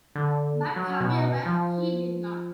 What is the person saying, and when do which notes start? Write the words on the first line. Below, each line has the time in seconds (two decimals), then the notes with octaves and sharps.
But, however, he did not.
0.16 D3
0.76 F#3
1.00 B2
1.46 F3